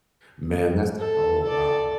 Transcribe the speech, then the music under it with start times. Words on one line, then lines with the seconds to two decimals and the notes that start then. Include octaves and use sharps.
Man, that's oh, wow.
0.99 A4
1.44 A4 D5